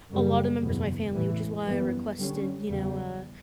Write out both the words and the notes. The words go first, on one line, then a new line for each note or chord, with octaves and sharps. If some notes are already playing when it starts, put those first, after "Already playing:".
a lot of members of my family, which is why I requested, you know, a
F#2 C#3 G3
F#1 E2 B2
A1 A2 E3
F#2 E3 G3 B3
F#2 D3 G3 C#4
E2 C#3 G3